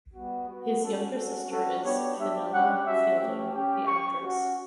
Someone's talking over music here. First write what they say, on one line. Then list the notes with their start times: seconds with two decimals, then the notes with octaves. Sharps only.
His younger sister is Fenella Fielding, the actress.
0.14 G3 B3 F#4
0.48 B3 F#4
0.83 C#4 F#4 A4
1.16 C#4 F#4 A4
1.50 G3 C#4 F#4 A4
1.84 B3 D4 G4 C#5
2.18 G3 D4 G4 E5
2.52 G3 C#4 G4 F#5
2.85 C#4 F#4 E5
3.20 A3 C#4 G4
3.54 C#4 G4
3.87 C#4 G4 C#6
4.22 C#4 F#4